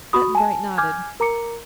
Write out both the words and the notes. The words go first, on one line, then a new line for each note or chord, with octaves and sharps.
Button-Bright nodded.
F#4 B5 C#6 D#6
G#5 A5
G#5 D6 F6 G6 G#6
A#4 A#5 D6 C#7